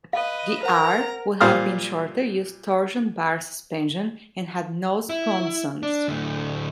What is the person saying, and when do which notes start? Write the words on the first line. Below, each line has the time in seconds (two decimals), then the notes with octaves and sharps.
The 'R' would have been shorter, used torsion bar suspension and had no sponsons.
0.13 B4 D#5 F5
0.63 A#4 C5 F#5 A#5
1.41 A#2 G3 C5 F5 D#6 F6
5.09 E4
5.83 D4
6.08 D2 A2